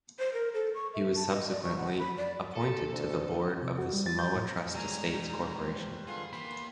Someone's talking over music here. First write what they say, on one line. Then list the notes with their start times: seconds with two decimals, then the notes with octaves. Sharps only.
He was subsequently appointed to the board of the Samoa Trust Estates Corporation.
0.19 C5
0.34 A#4
0.54 A4
0.74 C#6
0.94 E5
1.15 A5
1.33 D#5
1.49 D5
1.63 C#6
1.78 F#5
1.98 B5
2.18 D5
2.55 A4
2.92 D2
3.63 C3
3.78 F#4
3.93 G3
4.06 A6
4.19 G6
4.35 A2
4.75 E2 G3 G#3 C#5 G#5 A#5
5.06 D2 D#4
5.58 B4 C5
6.08 D3 F4 G#4 B4 C6
6.33 E3 A#3 G4 B5 C6